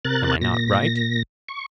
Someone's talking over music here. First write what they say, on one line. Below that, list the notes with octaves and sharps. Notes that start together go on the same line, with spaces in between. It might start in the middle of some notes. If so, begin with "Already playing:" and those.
Am I not right?
C3 A#4 F#6 A6
A#2 A#6
C#6